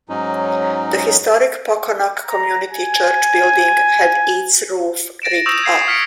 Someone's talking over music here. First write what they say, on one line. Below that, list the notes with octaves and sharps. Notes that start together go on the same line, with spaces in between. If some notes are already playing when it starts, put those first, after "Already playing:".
The historic Poquonock Community Church building had its roof ripped off.
G#2 F#3 C#4 D#4
A#5
G#5
A6 A#6 D7 E7
A#6
C#6 D#6 E6 G6 E7 F7
E6 G#6 C7
E7
D#6 F6 B6 C#7 D7